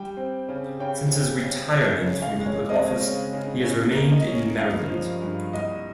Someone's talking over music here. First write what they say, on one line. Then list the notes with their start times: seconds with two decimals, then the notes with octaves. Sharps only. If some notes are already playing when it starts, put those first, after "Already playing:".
Since his retirement from public office, he has remained in Maryland.
Already playing: G3 G5
0.17 C4
0.49 C#3
0.80 C#3 G5
1.12 C#3
1.43 C#3
1.75 C#3 C#5
2.06 C#3
2.22 F5
2.38 G#3
2.46 C#5
2.69 C4 D#5
3.01 C#3
3.33 C#3
3.64 C#4 C#5
3.95 A#3
4.12 D#5
4.27 C#4
4.58 G2 F5
4.90 F3
5.22 G2
5.53 C2 D#5